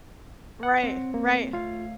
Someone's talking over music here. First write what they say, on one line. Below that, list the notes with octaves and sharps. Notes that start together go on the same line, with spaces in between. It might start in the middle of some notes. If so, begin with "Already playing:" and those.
Right, right.
F#5
C4 C#5
A#3
A3 F4 C#5 F5